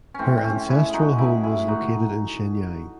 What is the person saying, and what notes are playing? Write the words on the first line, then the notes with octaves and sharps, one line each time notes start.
Her ancestral home was located in Shenyang.
A2 C4 C#4
C4
A2 C#4
G#3 C#4 E4
G#3 D#4 F#4 G#4
A2 E4 G#4
A2 E4 G#4
G#3 D#4 F#4